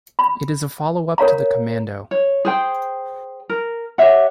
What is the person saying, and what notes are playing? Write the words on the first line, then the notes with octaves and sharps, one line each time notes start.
It is a followup to the "Commando".
B5
A#4 C#5 F5 A#5
C#5
G#4 C5 G5
A#4
G4 C#5 E5 F#5